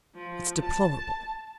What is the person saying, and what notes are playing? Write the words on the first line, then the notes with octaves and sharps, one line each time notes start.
It's deplorable.
F3
A5